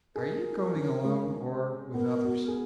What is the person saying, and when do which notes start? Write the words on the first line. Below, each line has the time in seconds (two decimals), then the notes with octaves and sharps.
"Are you going alone or with others?"
0.15 G#4 A#4
0.75 C#4
1.04 G#3
1.94 B3 A#4
2.24 F#4
2.48 G#4